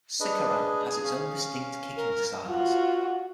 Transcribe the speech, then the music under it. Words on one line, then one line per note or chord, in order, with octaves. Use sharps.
Sikaran has its own distinct kicking styles.
D4 G#4 B4 D#5
C#4 F5
A#4
F4 F#4